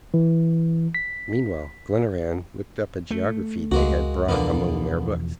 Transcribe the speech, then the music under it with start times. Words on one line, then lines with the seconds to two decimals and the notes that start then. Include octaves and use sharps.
Meanwhile, Glenarvan looked up a geography they had brought among their books.
0.14 E3
0.95 B6
3.11 A3
3.72 C#2 G#3 A#3 F#4
4.29 E2 B2 D3 F3 A#3 B3